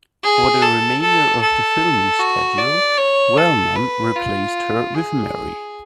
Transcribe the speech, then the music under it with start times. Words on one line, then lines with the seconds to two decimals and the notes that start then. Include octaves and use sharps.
For the remainder of the filming schedule, Wellman replaced her with Mary.
0.24 G#4
0.63 A4
1.02 A4
1.42 A4
2.20 F#4
2.58 D5
2.98 C#5
3.38 A4
3.76 B4
4.16 F4
4.94 G#4